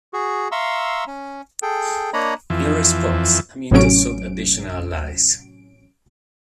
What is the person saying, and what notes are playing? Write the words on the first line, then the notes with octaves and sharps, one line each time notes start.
In response, Amyntas sought additional allies.
F#4 G#4
E5 F5 A#5 C6 C#6 E6
C#4
G#4 A4 G5
A#3 D4 C#5 D#5 A#5 B5
F2 E3
A1 A2 C3 F#3 C#4 D7